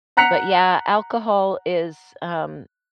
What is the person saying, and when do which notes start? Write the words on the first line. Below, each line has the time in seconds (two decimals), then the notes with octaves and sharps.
but yeah alcohol is, um
0.17 F#5 A#5 F#6 B6 C#7 F7